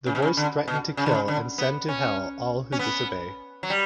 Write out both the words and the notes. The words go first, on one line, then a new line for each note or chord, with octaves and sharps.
The voice threatened to kill and send to Hell all who disobey.
C#3
B2
C#3
D3
B2
C#3
D3
C#3
D3
B3
C#4
C#4
B3
F#3
G3